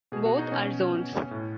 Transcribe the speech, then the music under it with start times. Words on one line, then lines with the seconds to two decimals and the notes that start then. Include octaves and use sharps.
Both are zones.
0.12 B2 G#4
0.26 F#4
0.39 D#4
0.52 B2 C#4
0.91 B2
1.31 A2